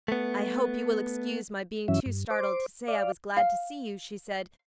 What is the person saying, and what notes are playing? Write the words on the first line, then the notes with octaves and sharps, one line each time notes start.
"I hope you will excuse my being too startled to say I was glad to see you," she said.
A3 B3
G2 E3 F#3 C#4 E5
G2
C5 D6
D5 F5
F5